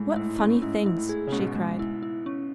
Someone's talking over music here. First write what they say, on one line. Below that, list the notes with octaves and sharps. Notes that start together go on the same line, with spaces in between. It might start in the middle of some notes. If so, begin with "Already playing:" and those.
"What funny things!" she cried.
Already playing: A2 G#3
G#2
A2 E4
G#2
C#4
A2
G#2 E4
E4
A2
G#4
C#3
G#2 B2 C#4
G#3
E4
E4
C#4